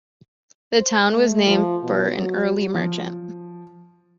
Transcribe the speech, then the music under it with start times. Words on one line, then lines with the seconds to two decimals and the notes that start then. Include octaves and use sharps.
The town was named for an early merchant.
0.78 C5
1.09 A3
1.47 F3
1.83 B2
2.18 F#3
2.75 F3